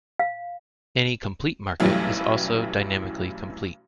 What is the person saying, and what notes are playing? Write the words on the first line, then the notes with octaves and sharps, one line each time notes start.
Any complete market is also dynamically complete.
F5
B1 F#2 E3 F#3 G3 A3